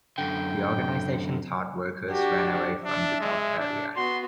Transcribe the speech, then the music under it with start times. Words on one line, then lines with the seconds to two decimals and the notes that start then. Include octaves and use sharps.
The "Organisation Todt" workers ran away from the dock area.
0.18 F#2 D3 G5
2.11 D4 F#4 G4
2.84 D4 E5
3.20 G#3
3.59 D4
3.96 B3 F#4 C6